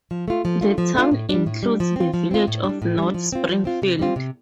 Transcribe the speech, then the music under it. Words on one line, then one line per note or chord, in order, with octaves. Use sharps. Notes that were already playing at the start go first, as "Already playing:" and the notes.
The town includes the village of North Springfield.
F3
A3 F4
F3
A3 D4 F4
F3
A3 D4 F4
A2
G3 D4
A2
G3 D4
F3
C4 F4
F3
C4 F4
A2
G3 D4
A2
G3 D4
F3
C4 F4
F3
C4 F4
C3
G3 C4 F4
C3